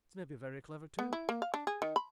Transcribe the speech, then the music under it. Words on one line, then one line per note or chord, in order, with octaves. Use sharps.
This may be very clever too.
B3
E4
A#3
F5
D4
G#4
D#3
B5